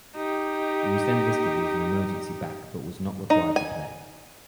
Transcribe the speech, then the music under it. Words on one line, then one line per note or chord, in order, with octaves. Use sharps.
He was then listed as an emergency back but was not required to play.
D#4 G4
D#4
G#5